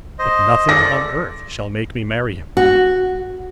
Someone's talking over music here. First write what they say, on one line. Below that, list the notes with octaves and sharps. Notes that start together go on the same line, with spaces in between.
But nothing on earth shall make me marry him.
C5 D#5
A4 D5 A#6
F#4